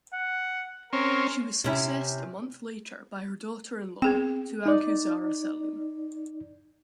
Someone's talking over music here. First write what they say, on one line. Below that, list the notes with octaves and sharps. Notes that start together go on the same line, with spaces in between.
She was successed a month later by her daughter in-law, Tuanku Zara Salim.
F#5
C4 C#4 A#4
C3 C#4 E4
B3 C4 G#4 G5
D#4 D5